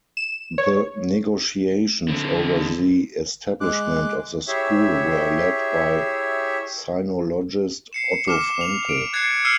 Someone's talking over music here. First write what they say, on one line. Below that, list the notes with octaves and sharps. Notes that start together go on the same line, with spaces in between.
The negotiations over the establishment of the school were led by sinologist Otto Franke.
E7
C#5
D3 C4
G#3 D6 F#6
E4 G4 G#4 C#5 E5
C7 C#7 E7
D6 F6 E7
F7
D7
F#6 G#6 A6 C7 C#7
E6 F6 C7 C#7 D#7 E7